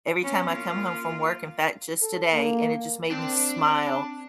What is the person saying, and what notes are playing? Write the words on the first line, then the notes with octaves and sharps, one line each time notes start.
Every time I come home from work, in fact just today, and it just made me smile
B3 C#4
A#3 F4
A4
A#3
C4 D4